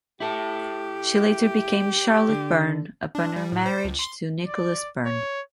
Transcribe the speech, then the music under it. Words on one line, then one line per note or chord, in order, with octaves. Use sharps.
She later became Charlotte Byrne upon her marriage to Nicholas Byrne.
E4 G4 A4
D3
D4
G3
A2
C5
C#2
C6
D5
C#5